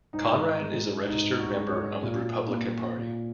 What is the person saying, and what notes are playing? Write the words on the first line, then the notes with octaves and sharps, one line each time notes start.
Conrad is a registered member of the Republican Party.
G#2 D#4
G#3
G#2 D#4
F#4
G#3
C#5
A#2
A#3
A#2